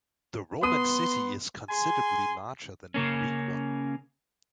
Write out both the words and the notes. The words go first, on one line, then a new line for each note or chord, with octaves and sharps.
The Roman city is considerably larger than the Greek one.
B3 C6 D#6 D#7
G#4 G#5 C6
C#3 A#3 C#4